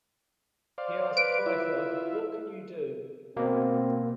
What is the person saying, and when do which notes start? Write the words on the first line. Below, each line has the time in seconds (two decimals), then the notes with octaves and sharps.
He asked Feiffer, What can you do?
0.78 C5 D5 F5
1.17 B4 D7
1.46 E4 F4 E5
3.36 B2 A#3 C4